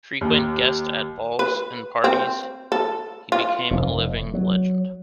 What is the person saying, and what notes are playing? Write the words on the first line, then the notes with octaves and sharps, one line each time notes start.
Frequent guest at balls and parties, he became a living legend.
D#2
B4
C4
A4
F4
F1
F#3